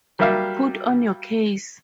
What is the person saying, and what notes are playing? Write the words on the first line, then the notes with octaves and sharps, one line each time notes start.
Put on your case.
F#3 G3 A#3 G4 E5 F5